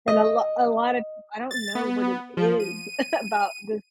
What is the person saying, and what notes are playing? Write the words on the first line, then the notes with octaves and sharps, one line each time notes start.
And a lot a lot of, I don't know what it is about this
D#5
A6
B3
F3
D#7